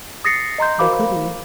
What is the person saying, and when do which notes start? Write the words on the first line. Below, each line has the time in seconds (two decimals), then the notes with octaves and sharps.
How could he?
0.24 D#6 A6 A#6 C7 C#7
0.58 D#5 A#5 C6 G6
0.79 F#4 A#4 C5 F5 B5 D6